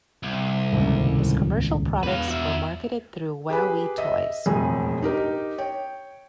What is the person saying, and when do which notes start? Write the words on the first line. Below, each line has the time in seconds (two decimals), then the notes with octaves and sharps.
His commercial products are marketed through WowWee Toys.
0.23 C2
0.72 D#1 C#2 G#2
2.03 E2 B4 F5
2.28 F#4 E5
3.50 G4 G#4 B4
3.98 D#5 E5
4.46 E1 F2 A2 G#4
5.02 D#4 G4 A#4
5.58 C#5 G5